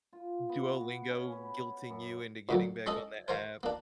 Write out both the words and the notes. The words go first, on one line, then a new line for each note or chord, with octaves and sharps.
Duolingo guilting you into getting back on the app.
F4
B3
F#4
C#4
B4
F#2
D2 A#2 F#3
G#3 C#4 G#4 A4 D#5
A#4 C5 C#5 F5 A#5
A#3 D4